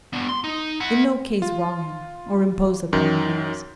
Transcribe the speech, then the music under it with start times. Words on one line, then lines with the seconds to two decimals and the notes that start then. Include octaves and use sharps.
In no case wrong him, or impose upon him laws.
0.13 B3 D4
0.29 C6
0.44 D#4
0.80 E4 F#5
1.42 F4
2.93 F#2 D#3